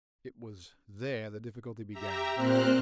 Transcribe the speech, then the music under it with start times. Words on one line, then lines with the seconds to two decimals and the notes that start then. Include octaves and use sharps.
It was there the difficulty began.
1.91 G4 E5 A#5
2.35 A#2 C4 C5 F6 F#6